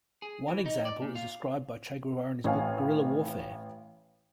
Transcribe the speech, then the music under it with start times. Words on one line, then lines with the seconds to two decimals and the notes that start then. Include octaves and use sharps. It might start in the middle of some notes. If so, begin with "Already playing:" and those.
One example is described by Che Guevara in his book "Guerrilla Warfare".
0.22 G#4
0.48 E3
0.66 D#4
0.85 D5
1.02 A#2
1.15 F4
2.44 A1 C#5 F5 G#5